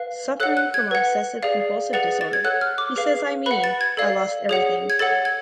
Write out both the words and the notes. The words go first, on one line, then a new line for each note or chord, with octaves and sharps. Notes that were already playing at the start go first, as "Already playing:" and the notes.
Suffering from obsessive-compulsive disorder, he says I mean, I lost everything.
Already playing: B4 F5
A4 C#5 F#5 F#6
F#6
G#6
B4 F#5
G#4 D5 F5
G#4 B4 F#5 A6
A6
G#6
A4 C#5 F#5 F#6
F6
D6
G#4 B4 F5
B4 F#5 B5
A6
G#6
A4 D5 F5
G#4 C#5 F#5
G#6
A4 C#5 F#5 A6
G#6